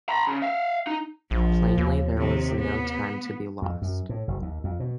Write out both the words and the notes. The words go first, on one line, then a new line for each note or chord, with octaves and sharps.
Plainly there was no time to be lost.
A#5 B5
C#3
E5 F5
D#4
A#1 F3
D#2
C3 D#3
B3
F2
F#2
A2
F#1
D#2
F2
B2